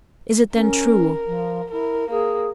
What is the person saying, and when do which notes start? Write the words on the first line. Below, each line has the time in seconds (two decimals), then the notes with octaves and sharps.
Is it then true?
0.54 C#4 A#4
1.27 F3
1.71 E4 A#4
2.10 A#3 G#4